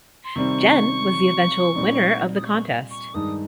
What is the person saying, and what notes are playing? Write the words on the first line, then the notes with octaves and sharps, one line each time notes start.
Jen was the eventual winner of thecontest.
C6
C3 D#3 G3 C4 C#6
A#2 G3 C4 D#4
D#6
C#6
C#6
G2 D#3 G#3 D#4 D#6